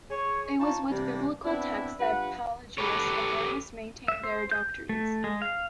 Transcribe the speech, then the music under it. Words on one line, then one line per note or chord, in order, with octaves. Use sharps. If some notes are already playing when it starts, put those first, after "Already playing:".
It was with biblical texts that Pelagius and Arius maintained their doctrines.
G#4 C#5
D#4 F4 C#5 A5
C3 E3 G3 A#3 D4
B3 C4 D4 E4
G2 F4 B4 F#5
G4 A4 B4 C#5
E5
C5
G6
A3
G#3
F5